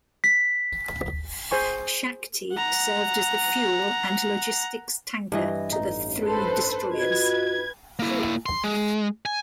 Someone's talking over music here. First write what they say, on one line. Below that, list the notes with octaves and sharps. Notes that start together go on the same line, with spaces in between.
"Shakti" served as the fuel and logistics tanker to the three destroyers.
B6
G#4 C5 G#5 C#6
F#5 A#5
G2 E3 D#5
A1 D#4
A4 B4 C5
F4 F#4 B4 D#5 G#6
A#3 E4
C6
G#3
G#5